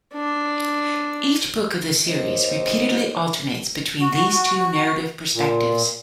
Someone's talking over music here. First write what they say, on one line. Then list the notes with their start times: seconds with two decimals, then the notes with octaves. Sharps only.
Each book of the series repeatedly alternates between these two narrative perspectives.
0.14 D4
2.08 D#2 C5 D#5
4.00 F#4
5.34 A#2